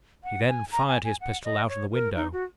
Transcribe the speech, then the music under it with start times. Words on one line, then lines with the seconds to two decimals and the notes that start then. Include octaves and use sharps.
He then fired his pistol out of the window.
0.24 F#5
0.48 G#5
0.72 A#5
0.88 G#5
1.04 G#5
1.21 F#5
1.44 D#5
1.69 C#5
1.93 A#4
2.16 D#4
2.33 F#4